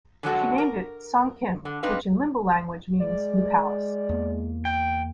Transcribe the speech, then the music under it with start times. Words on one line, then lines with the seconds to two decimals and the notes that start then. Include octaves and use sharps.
She named it "Song Khim" which in Limbu language means "New Palace".
0.23 D3 F3 F#3 G#3 F#4 A4
0.58 A#4
1.65 D3
1.83 C4 D4 D#4 B4 F5
3.00 G#3 D5
4.09 E2 A#3
4.65 G5